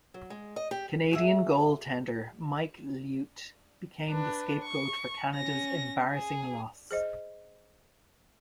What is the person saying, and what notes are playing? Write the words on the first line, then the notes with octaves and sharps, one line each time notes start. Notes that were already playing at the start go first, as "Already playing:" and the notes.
Canadian goaltender Mike Liut became the scapegoat for Canada's embarrassing loss.
F#3
G#3
D#5
G4
F#4 G#4 E5
D4 B4
C#6
C#4 A#6
G#4
G#4 C5 D#5